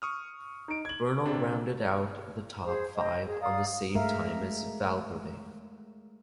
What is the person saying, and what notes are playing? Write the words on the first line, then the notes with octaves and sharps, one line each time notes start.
Bernal rounded out the top five on the same time as Valverde.
C#6 D#6 F6
D#4 D7
G#6 F#7
C3 D4
G#4 C5
D#5 G5
G#4
D5 F5 A#5 D#6
G#3 A3 A#4 E5 F5